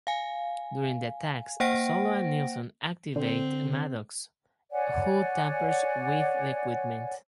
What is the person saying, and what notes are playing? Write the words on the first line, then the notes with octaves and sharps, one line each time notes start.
During the attacks, Solow and Nilson activate Maddox, who tampers with the equipment.
F5 G#5
A#3 C5 F#5 G5 A#6 D7
D3 C4
C#5 D5 F#5 G#5